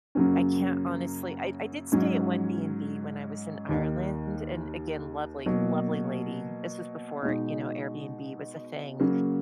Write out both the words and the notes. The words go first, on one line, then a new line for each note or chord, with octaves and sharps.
I can't honestly I I did stay at one BnB when I was in Ireland. And, again, lovely, lovely lady. This was before, you know, Airbnb was a thing.
F#2 C#3 F#3 A#3 C#4
G#2 F#3 C#4
D#2 D#3 A#3 D#4
B2 F#3 A#3
B2 G#3 D#4
C#3 F#3 A#3